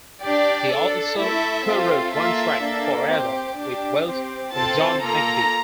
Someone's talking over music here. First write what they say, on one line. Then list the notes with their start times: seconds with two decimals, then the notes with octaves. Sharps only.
He also co-wrote one track, "Forever", with Welch and John McVie.
0.22 D4 G4 D5
0.69 D4 A4
1.17 A3 E4 A4 E5
1.65 C4 F4 A4
2.14 A#3 F4 A4 E5
2.61 A#3 D4 A4
3.10 C4 G4
3.57 D4 G4
4.05 C4 G4
4.53 C4 F4 A4 A5
5.01 A#3 F4 A4 A#5